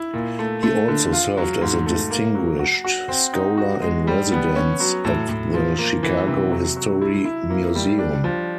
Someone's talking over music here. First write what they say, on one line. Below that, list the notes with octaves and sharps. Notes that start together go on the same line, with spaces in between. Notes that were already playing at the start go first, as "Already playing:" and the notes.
He also served as a distinguished scholar-in-residence at the Chicago History Museum.
Already playing: E4
A#2
A3
A3
D3
F4
F#3
G#2
A3
A#3
F#3
F#4
F#4
C4
D#4
F#4
G#3
G3
B3
C#4
F#3
A2
A2
F3
A#3
E3
C3
F#3
F#3
E4
E4
A#3
G3
D4
F3